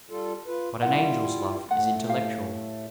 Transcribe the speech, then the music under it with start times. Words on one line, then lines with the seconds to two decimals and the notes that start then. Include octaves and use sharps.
But an angel's love is intellectual.
0.10 G3 F4 A4
0.46 F4 B4
0.82 G3 E4 F4 F#5
1.69 A2 A3 F4 F#5
2.07 G4 F5